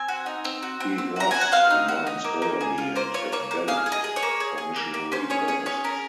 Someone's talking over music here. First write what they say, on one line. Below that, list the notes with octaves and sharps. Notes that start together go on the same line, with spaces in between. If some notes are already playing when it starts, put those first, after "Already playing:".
He thus combined scholarly and evangelical or missionary purposes.
Already playing: C4 G#5
F#4
D#4
C4
F#4
C4
C4
F#4 A#5
F#4 G#5
F#5
C4 F5
D#4
F#4
D#4
A#3
A#3
G#4
F4
A#3 C5
F4 C#5
A#3 C#5
A#3
G#4 F5
G#4
D#5
G#4
C#5
A#3
G#4
G#4
A#3
A#3
C#4 C5
G#4 C#5
G#4 C#5
C#4 C#5
C#4 A#4